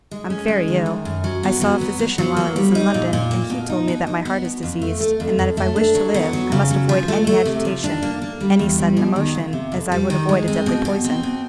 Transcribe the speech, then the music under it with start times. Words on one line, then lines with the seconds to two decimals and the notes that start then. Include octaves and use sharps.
I'm very ill, I saw a physician while I was in London; and he told me that my heart is diseased, and that if I wish to live I must avoid any agitation, any sudden emotion, as I would avoid a deadly poison.
0.11 G#3
0.30 C#4
0.48 G#3
0.68 D#3
0.86 F#2
1.05 F#2
1.24 F#3
1.43 B3
1.61 F#3
1.81 B3
1.99 B3
2.18 F#3
2.37 A#3
2.56 G3
2.75 D#4
2.94 A#2
3.13 A#2
3.31 A#3
3.50 B2
3.69 D#4
3.88 B2
4.07 D#4
4.25 B3
4.45 B2
4.63 F2
4.82 A3
5.01 A3
5.20 F2
5.39 F2
5.57 A3
5.76 D4
5.95 F#3
6.14 B3
6.33 F#3
6.52 C#3
6.71 F#3
6.89 F3
7.08 A3
7.27 A3
7.45 C3
7.65 F3
7.84 D4
8.03 A#3
8.22 A#3
8.40 G3
8.59 E2
8.78 G3
8.97 B2
9.16 D#3
9.35 F2
9.53 C3
9.72 F2
9.92 G3
10.10 D#3
10.29 G#3
10.48 C4
10.66 B2
10.85 B2
11.04 C4
11.23 B2